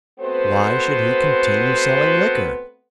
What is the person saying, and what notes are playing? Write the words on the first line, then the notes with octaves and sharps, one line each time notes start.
Why should he continue selling liquor?
A3 B3 C4 F#4 B4 C5